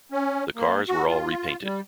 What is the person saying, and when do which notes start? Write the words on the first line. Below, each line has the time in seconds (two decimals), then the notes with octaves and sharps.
The cars were all repainted.
0.12 C#4
0.56 A#3
0.89 F#4
1.08 F4
1.63 G3